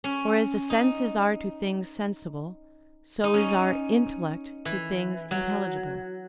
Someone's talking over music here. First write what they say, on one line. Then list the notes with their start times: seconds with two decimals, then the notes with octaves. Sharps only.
For as the senses are to things sensible, so is our intellect to things intelligible.
0.04 C#4
0.70 D#4
3.24 D#4
3.34 C#4
4.65 E3
5.31 F#3